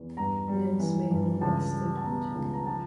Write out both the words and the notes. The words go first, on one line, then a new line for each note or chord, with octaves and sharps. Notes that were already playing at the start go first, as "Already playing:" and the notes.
Nance made no last statement.
Already playing: E2
G2 A#5
G3
E3
G2
C#2 A5
G3
A5
B2 A#5
C#2
A#5
F3 A5